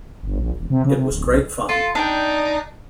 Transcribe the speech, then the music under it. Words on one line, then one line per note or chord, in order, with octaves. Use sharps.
It was great fun.
G1
A#1
E1
C3
C#3
C3
D1
B1
F4 A4
D4 D#4 G5